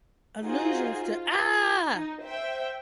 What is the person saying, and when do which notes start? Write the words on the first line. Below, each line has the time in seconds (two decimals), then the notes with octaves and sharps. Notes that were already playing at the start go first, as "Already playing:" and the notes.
Allusions to Ah!
0.42 D#4 F4 F#4 G#4 C5
1.01 F4
1.94 D#4
2.24 C5 E5 G5